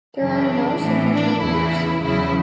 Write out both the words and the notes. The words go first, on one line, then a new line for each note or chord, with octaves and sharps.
There are no signature moves.
F#2 C#3 E3 D4
A2 E3
D4
E2 C#3 E3 E4
E2 C#3 F#3 E4